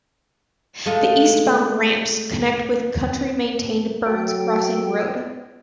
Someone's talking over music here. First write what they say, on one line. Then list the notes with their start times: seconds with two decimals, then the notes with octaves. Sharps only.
The eastbound ramps connect with county-maintained Burns Crossing Road.
0.86 G#3 A3 F4
4.06 F#3 A4 G5